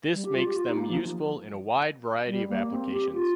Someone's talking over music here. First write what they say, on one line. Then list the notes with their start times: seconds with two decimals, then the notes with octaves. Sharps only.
This makes them useful in a wide variety of applications.
0.14 G3
0.24 G4
0.35 F4
0.46 G4
0.56 F4
0.67 D#4
0.78 A#3
0.89 F3
2.28 G3
2.49 A#3
2.70 C4
2.92 G4
3.13 F4